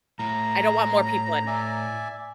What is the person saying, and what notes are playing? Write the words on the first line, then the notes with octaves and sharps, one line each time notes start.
I don't want more people in
A2 A#5
D5 E5 G#5